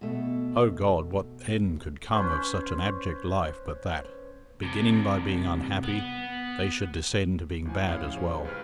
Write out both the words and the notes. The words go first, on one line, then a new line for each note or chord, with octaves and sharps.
Oh, God, what end could come of such an abject life but that, beginning by being unhappy, they should descend to being bad as well?
B2 A3
C#4 B4 C5
G2 C3
B3
G1 D2 F3 E4 G#5
F#2 A2 F3 G3 C#4 F5
G4 G#4 C5
C#2 B4 F6